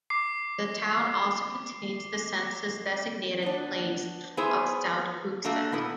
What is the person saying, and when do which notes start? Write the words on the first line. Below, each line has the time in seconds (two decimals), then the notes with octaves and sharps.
The town also contains the census-designated place of South Hooksett.
0.10 D6 C7
3.43 B3 D4
4.37 B3 E4 G#4 C5
5.44 A3 A#3 D4 F#4
5.72 B2 B3 E4